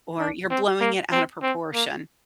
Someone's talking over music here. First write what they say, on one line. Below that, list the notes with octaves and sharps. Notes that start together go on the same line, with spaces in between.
or, "You're blowing it out of proportion."
D4
C4
A#3
C4
C4
A#3